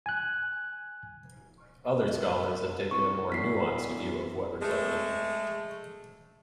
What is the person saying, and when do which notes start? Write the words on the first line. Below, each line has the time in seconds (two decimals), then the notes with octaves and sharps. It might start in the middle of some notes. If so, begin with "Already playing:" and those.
Other scholars have taken a more nuanced view of Weber's argument.
0.06 G#5 F#6
2.91 C2 C#6
3.32 E2 B6 C7
4.61 G#3 A3